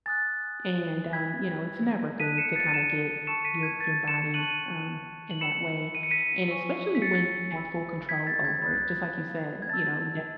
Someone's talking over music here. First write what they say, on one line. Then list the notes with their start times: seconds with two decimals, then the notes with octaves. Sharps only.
And, um, you know, it's never good to kinda get your your body, um, in that way. And especially when you have full control over it, just like you said, you know, you d
0.06 G#5 D#6 F#6 A6
1.13 B5 E6 G#6 B6
2.20 A5 D#6 F#6 B6 D#7
2.38 C#7 E7
2.55 A6 C#7
2.69 D#7
2.74 C#7 E7
3.27 A5 C#6 E6 C#7 E7
3.45 B6 D#7
3.63 G#6
3.80 A6
4.08 C#7 E7
4.34 A5 C#6 F#6 D#7 F#7
5.31 F#7
5.41 B5 E6 C#7 E7
5.95 D#7
6.03 C#7
6.11 B6 D#7
6.48 G#5 C#6 E6
6.95 B6
7.02 A6 C#7
7.55 B5 E6
8.09 G#6 B6
8.27 A6
8.45 G#6
8.62 B5 D#6 F#6 A6
9.62 G#6
9.69 A5 E6 A6